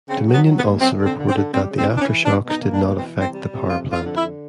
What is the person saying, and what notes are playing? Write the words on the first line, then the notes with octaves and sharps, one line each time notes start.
Dominion also reported that the aftershocks did not affect the power plant.
C#3 C4
F#3
B3
F#3
B3
D#2
F#2 C4
D3
C4
D3
C4
D3
G3 C4
C#3
C4
E3
D4
C#4
E3
B2 D4
B2
D#4
A#3
D4
B2
E3 C4
C3
C4
G3
C3
F2 F4
F2
F4
D3
E4
D3